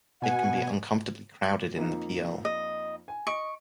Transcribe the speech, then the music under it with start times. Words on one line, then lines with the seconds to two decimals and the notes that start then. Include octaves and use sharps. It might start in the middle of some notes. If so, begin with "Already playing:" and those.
It can be uncomfortably crowded in the p.o.
0.22 B2 F#5 G#5
1.76 F2 A#3 D#4
2.45 D#5
3.08 G#5
3.27 D#5 C#6 D#6 D7